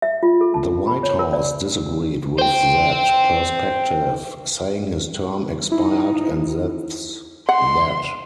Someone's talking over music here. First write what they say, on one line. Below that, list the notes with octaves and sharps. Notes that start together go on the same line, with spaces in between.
The White House disagreed with that perspective, saying His term expired and that's that.
E5
F4
A4
A5
B5
C#5
A#4
D5
C5 G5
D#4 E4
F#5 C6